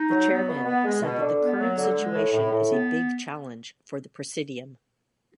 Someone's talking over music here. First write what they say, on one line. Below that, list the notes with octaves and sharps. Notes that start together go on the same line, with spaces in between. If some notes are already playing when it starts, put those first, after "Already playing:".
The chairman said that current situation is a big challenge for the presidium.
Already playing: D#4
F#3
B3
B2
B3
G#3
B2
D3
B3
F#3
D3
G#3
A2
A2
A2
B3